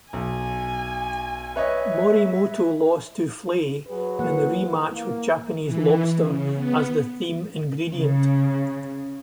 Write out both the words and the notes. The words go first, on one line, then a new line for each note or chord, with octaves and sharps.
Morimoto lost to Flay in the re-match with Japanese lobster as the theme ingredient.
B1 G#5
B4 C#5 D#5 E5
F#3 G#4 B4
E3 A#3 F#5
A#3
E3
C#3
B3
C#3